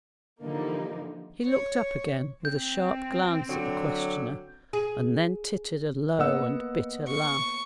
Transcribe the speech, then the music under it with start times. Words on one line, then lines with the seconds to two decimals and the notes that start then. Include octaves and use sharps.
He looked up again, with a sharp glance at the questioner; and then tittered a low and bitter laugh.
0.42 D3 E3 F3 G3 A#3 D#4
1.45 C#5 C#6
2.45 C4 G6
3.49 D3 F#3
4.73 G#4
6.19 A#3 B3 D#5 F#5 E6
7.08 C#6